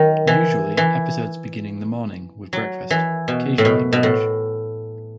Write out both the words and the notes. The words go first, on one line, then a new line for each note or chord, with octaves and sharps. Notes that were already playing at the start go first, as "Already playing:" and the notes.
Usually episodes begin in the morning with breakfast, occasionally brunch.
Already playing: D#3 F#3
E3
E3
F#3
E3
B2
A2
B2
B2
A2